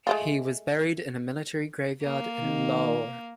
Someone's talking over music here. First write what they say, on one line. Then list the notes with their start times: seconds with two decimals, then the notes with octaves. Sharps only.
He was buried in Military Graveyard in Lahore.
0.07 G#3 A3 F4
2.03 A#3
2.41 D#3